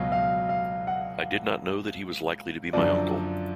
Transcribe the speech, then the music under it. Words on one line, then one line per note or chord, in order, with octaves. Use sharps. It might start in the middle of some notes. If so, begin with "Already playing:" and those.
I did not know that he was likely to be my uncle.
Already playing: C#2 B2 F#3 F5
F5
F5
F#5
F#2 D3 F3 D5